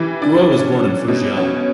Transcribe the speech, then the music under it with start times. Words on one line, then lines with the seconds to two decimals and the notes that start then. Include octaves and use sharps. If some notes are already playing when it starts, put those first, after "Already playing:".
Guo was born in Fujian.
Already playing: E3 G3
0.22 D4
0.51 C#4
0.80 F#3
1.08 B2
1.37 C#4